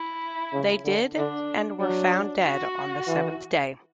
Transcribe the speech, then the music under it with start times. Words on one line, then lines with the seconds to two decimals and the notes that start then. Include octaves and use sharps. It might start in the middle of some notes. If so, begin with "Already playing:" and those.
They did and were found dead on the seventh day.
Already playing: E4
0.53 C#3
0.85 D3
1.17 D3 D4
1.80 F#3 D4
2.44 F#4
3.07 E3